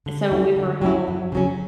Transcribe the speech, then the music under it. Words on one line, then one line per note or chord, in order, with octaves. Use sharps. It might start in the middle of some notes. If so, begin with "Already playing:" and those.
so we were home
D3
F#3 A3 C#4 E4
D3
F#3 A3 C#4 E4
F#2
C#3 F#3 C#4